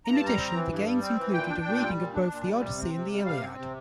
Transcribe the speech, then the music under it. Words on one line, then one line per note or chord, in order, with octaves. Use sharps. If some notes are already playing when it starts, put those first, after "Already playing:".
In addition, the Games included a reading of both the "Odyssey" and the "Iliad".
G2 A#5
A5
G3
A#5
C4
E3
G2
G3
C4
E3
A#2 G5
D4
A#2
G3
A#2
D4
A#2
G3
C3
C4
C3
G3
C3 F5
C4
C3